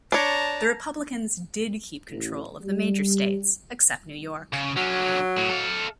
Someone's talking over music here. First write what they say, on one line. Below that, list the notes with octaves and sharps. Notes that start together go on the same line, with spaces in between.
The Republicans did keep control of the major states except New York.
D4 C#5 A5 A#5
A1
G3
C#3
D3 F#3 C#4
A2
A4 F5